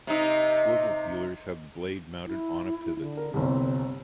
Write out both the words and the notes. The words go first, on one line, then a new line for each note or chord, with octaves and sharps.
Swivel peelers have the blade mounted on a pivot.
C3 D#4
E4
D3
A#4
G1 C2 C4